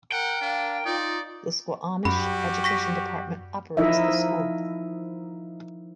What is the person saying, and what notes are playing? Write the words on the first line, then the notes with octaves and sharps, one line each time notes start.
The Squamish education department operates the school.
A#4 F#5 G5
D4 F5
D#4 F4 D5
F#2 G3 F#4 G4 B5
C#6 A#6 B6
F3 D#4 E4 A#4 D#5 E5